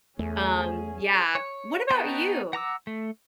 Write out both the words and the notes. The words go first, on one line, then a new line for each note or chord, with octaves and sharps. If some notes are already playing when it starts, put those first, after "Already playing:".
Um, yeah. What about you?
E2 A3 C#4 G#4
C#5
B3 D#4 F#4 G5 A5
F#5 A#5 D6 E6
A3